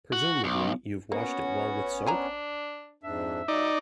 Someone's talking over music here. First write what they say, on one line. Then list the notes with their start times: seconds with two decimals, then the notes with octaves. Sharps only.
Presumably you've washed it well with soap?
0.12 F#4
0.44 B1
1.12 A#3 B3 C#4 F#4
2.07 D4 C5 G#5 A#5
3.03 F2 G#2 D4 E5
3.48 F#3 D#4 D5